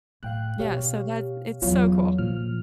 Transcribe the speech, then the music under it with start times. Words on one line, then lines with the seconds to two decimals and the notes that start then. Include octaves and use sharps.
Yeah. So that it's so cool.
0.23 A2 F5 G5 F#6
0.59 B2 G4 C#5 F5
1.62 E2 F#3 F4 C#5 F5
2.18 A#2 D3 F3 F6